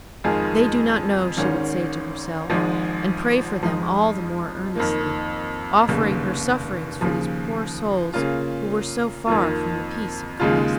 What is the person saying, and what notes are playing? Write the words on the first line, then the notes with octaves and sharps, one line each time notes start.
"They do not know," she would say to herself, and pray for them all the more earnestly, offering her sufferings for these poor souls who were so far from the peace of Christ.
F2 D#3 G#3 F4 G#4
G#1 G#2 D#3 C#4
G#1 G#2 F3 G#3
F2 F3 G#3 D#4
F2 D#3 A#3
F1 D#2 C#3
D#2 C#3 F3
C#3 A#3 C#4 F4
F2 D#3 A#3 F4
D#2 C#3 G#3 F4